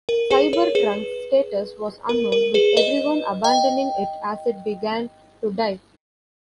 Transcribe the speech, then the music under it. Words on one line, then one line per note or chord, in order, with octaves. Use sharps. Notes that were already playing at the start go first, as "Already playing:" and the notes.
Cybertron's status was unknown, with everyone abandoning it as it began to die.
A#4
G#4 B4
A#4 C#5
G#4 B4
A#4
A#4
G#4 B4
B4 D#5
D#5 G5